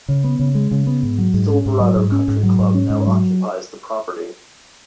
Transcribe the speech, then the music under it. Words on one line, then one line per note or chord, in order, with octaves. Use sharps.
Silverado Country Club now occupies the property.
C#3
B3
C#3
G#3
C#3
B3
G#2
F#3
G#2
C#4
G#2
F#3
G#2
C#4
G#2
F#3
G#2
C#4
G#2
F#3